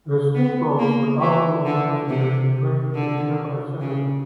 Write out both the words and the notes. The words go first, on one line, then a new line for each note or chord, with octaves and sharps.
The steam boats would offload passengers and trade with nearby settlements.
B3
A#3
E3
D3
C3
D3
C#3